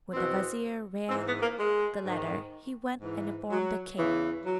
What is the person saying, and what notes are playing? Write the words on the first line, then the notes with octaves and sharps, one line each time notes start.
When the vizier read the letter he went and informed the king.
E2 B2 C4
G#2 E3 C4
B3
A#3
G#3
G#2 D#3
G#2 E3
F#3
E2 C#3 E3
F#3